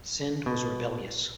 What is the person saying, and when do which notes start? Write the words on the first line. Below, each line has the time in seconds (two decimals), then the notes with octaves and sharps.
Sindh was rebellious.
0.46 B2